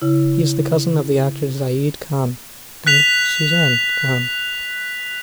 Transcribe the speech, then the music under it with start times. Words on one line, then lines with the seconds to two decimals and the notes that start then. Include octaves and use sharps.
He is the cousin of actor Zayed Khan and Suzanne Khan.
0.02 C#3 E4
2.87 F#6 B6 F7